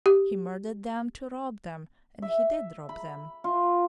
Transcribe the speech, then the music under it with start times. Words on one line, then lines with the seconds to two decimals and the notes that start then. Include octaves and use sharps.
He murdered them to rob them and he did rob them.
0.06 G4
2.22 E5
2.89 B5
3.44 F4